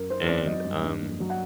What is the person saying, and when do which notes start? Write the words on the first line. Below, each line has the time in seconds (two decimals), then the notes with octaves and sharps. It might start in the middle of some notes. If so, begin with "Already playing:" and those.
And, um,
Already playing: F#2 A#4
0.10 D#4 C5
0.28 C4 D5
0.46 F#3 D#5
0.65 G2
0.84 G2
1.02 A#3
1.20 F#3
1.30 F#5